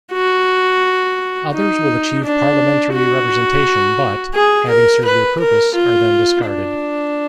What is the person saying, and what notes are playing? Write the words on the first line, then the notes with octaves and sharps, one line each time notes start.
Others will achieve parliamentary representation but, having served their purpose, are then discarded.
F#4
D#4
D4
F#4
G#4
A#4
B4
A#4
F4
D4